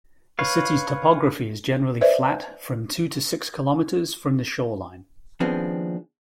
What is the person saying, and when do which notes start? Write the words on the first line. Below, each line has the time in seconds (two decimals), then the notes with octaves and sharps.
The city's topography is generally flat from two to six kilometers from the shoreline.
0.39 B4 C#5 F5
2.01 B4 C5 D5 E5
5.40 D#2 F3 B3 C4 D4 G#4